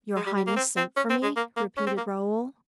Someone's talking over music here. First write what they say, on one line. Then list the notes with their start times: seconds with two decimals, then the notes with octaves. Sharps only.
"Your highness sent for me?" repeated Raoul.
0.16 G#3
0.26 G3
0.37 G3
0.47 A#3
0.56 C4
0.77 C4
0.96 C#4
1.10 C4
1.23 G#3
1.36 A#3
1.56 A#3
1.77 C#4
1.87 C4
1.97 A#3